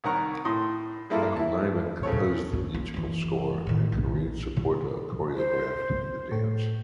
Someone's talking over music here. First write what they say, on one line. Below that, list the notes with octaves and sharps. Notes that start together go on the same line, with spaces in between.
Michael Nyman composed the musical score and Karine Saporta choreographed the dance.
C2 D#3 A#4 F#5 A#5 C#6
A2 C6 D#6
G3 G#3 A#3 E4 F4 A4
E4 A5
C#3 C4 A4 C#5
C#4
A#3
F#1 E3
A2 D#3
A#1
A#3 F4
C5
A2